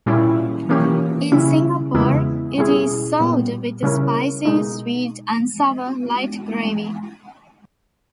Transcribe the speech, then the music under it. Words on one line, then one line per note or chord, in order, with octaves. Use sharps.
In Singapore, it is served with spicy, sweet and sour light gravy.
A#2 G3 C#4 E4
E3 A#3 C#4 G4
C#3 G3 C#4 E4
E2 C#3 G#3 B3 E4
B2 G3 C#4 E4 G#4
A#2 G3 B3
C#3 G3 C#4 E4 A#4
B2 G#3 D#4